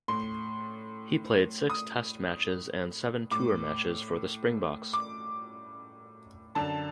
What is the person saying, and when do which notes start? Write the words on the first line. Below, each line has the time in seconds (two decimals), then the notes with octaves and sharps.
He played six test matches and seven tour matches for the Springboks.
0.08 A2 C6
1.70 D#6
3.31 A2 D6
4.93 D6
6.55 F#2 D3 A5